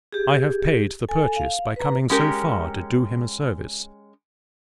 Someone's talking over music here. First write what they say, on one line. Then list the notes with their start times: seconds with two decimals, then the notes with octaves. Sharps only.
I have paid the purchase, by coming so far to do him a service.
0.13 G4 G#4
1.09 A4 G#5
1.36 F5
1.76 B4 A#5
2.10 G#3 C#4 G4 A#4